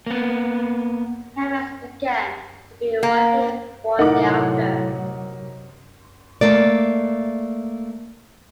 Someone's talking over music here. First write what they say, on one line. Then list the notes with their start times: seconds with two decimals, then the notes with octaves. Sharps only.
Helmets began to be widely worn thereafter.
0.07 A#3 B3
3.03 A#3
3.99 A2 C3 F#3 D#4 A#4 F#5 D6
6.41 A3 A#3 D5